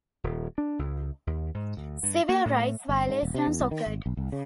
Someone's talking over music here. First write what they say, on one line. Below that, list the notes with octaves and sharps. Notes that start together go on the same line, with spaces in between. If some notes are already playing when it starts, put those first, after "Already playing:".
Civil rights violations occurred.
D#1
D4
C#2
D#2
G#2
D2
G2
A#3
A2
G1
G#2
D#1
C3
E2
C2
D#3
G#1
B1
C2
C#3